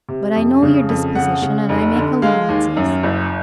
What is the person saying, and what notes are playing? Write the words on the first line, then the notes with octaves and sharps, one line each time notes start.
But I know your disposition, and I make allowances.
C3
F2
C#3
F2
C#3 F#5
C#3
F1
D3
G#3 F5
D#2
F#2
F#1